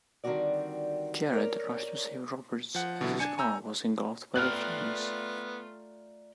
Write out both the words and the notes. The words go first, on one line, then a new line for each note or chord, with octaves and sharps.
Jarrett rushed to save Roberts as his car was engulfed by the flames.
D3 D#3 G3 C4 F#4 D5
A#4 C#5 D5
F3 F#5
B2 D3 E3 F#3 E4
D4 G#5 C#7
G#5 A#5 E6 G6
A3 B3 F4 D5 G5 A#5 F6 F#6